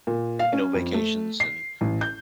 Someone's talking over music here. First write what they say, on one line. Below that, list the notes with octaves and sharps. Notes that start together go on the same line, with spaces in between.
you know, vacations, and
A#2
F5
C#4
F2
A3
C7
A1
G6